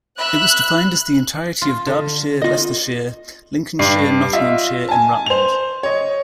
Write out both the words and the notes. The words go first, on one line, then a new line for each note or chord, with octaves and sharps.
It was defined as the entirety of Derbyshire, Leicestershire, Lincolnshire, Nottinghamshire and Rutland.
E5 B5 F#6
F4
D3
F4 D#5
G2 C7
F4 D#5 E5
G#5 A5
C5 F7
C#5 D#5